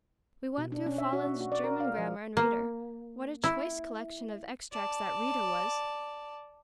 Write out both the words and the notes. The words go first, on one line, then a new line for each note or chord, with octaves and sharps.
We went through Follen's German Grammar and Reader:--what a choice collection of extracts that "Reader" was!
B2
D4
C#4
E5
F#4
D4
F#4
D5
A#4
F5
F3
A#3
E4
D5 A5